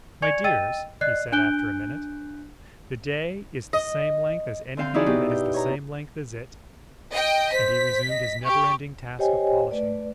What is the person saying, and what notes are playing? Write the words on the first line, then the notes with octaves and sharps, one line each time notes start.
"My dears," he said after a minute, "the day is the same length as anything that is the same length as it." And he resumed his never-ending task of polishing.
D5 G#5 C#6 G#6 C#7 F7
D#5 G5 E6 A6 D#7
D5 D#5 F#6 C7
D4 G#5 F#6 G6 D7 G7
D#5
D3 C4 F5 G5
D#4 E4 F#4 G#4 D5
B2 G4
G6
C#5 A#5
D#5 G5
C5 B6
D#5
G4 C#6
G4 C5 C#5 D#5 G5 G#5
A3 B4 D5